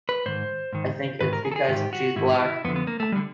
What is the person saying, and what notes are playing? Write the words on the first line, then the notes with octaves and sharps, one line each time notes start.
I think it's because she's black.
B4
G#2 D#3 C5
G#2 D#3
G#2 D#3 B4
A#4
G#4
A4
G#4
G#2 D#3 G4
F#4
G#2 D#3 E4
E4
F2 D3 B3
B3
A#3
A3
G3
D3